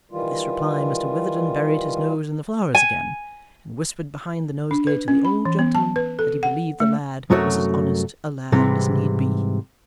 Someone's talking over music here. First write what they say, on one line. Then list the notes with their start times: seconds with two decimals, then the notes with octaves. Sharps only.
At this reply Mr Witherden buried his nose in the flowers again, and whispered behind the nosegay to the old gentleman that he believed the lad was as honest a lad as need be.
0.11 D#3 E3 G3 F4
2.75 G#5
4.71 D4
4.87 B4
5.08 C#4
5.25 B5
5.45 E3
5.59 B3
5.75 A5
5.96 B4
6.19 A4
6.43 F#5
6.80 A3
7.30 C2 F#2 F#3 A3 F#4 C#5
8.52 G#2 C3 E3 G3